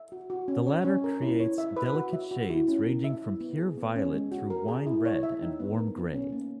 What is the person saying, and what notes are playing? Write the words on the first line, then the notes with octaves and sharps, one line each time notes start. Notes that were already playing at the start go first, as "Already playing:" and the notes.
The latter creates delicate shades ranging from pure violet through wine-red and warm grey.
Already playing: E5
F#4
F#4
C#4
C#5
C#4
A#4
E4
C#5
E5
B4
F#4
E5
F#4
E4
C#4
A#4
E5
E4
B3
G#4
B3
C#4
G#3
F#4
A#4
G#4
E4
C#5
E5
D#4
B3
A#4
B3
C#4
A#3